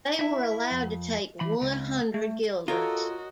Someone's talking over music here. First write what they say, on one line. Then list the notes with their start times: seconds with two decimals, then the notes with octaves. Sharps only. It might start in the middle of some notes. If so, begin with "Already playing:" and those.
They were allowed to take one hundred Guilders.
0.19 E4 E5
0.71 F2
1.40 E3 B5
1.62 C#2
2.14 A3
2.68 F4 F#4 A4 A#4 C#5 D#5